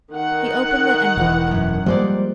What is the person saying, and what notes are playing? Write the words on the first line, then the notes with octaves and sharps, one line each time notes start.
He opened the envelope.
D#3 F#5
E1 E3
F#2
F3 G3 G#3 A#3 C5 D5